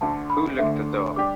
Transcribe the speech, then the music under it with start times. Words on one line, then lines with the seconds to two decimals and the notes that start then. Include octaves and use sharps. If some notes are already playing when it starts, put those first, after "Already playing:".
Who locked the door?
0.01 D2 D3 A3 A5
0.30 B5
0.58 D2 D3 A3 E5
1.16 G3 D4 G4 D6